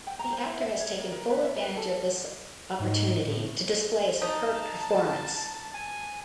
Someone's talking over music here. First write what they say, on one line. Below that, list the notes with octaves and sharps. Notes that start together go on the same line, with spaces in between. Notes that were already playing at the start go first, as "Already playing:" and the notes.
The actor has taken full advantage of this opportunity to display a superb performance.
G5
A#5
C5
E4
E5
C#5
A#4
A#4
B4
E5
B4
A4
G#2
A2
D#4 A5
G#5